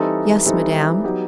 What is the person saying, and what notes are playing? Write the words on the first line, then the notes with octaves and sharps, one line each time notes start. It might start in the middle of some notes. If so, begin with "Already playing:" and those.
"Yes, Madame."
Already playing: E3 G3 C4 D#4 A4
E3 G3 C4 D#4 A4
F#3 B3 D#4 G4